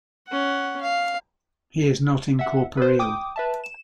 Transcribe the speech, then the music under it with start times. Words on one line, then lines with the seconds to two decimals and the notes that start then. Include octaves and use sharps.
He is not incorporeal.
0.28 C#4 F#5
0.81 F5
2.39 E5 F#5
2.77 B4 C5
2.99 G5 D6 D#6
3.36 B4 E5 A5
3.64 E7